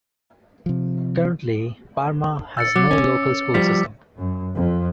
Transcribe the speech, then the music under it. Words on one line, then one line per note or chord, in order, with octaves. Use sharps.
Currently, Parma has no local school system.
C3 F3
E6 A6 C#7
F#3 D6
C#4
F3 G3 B6
F#2
F2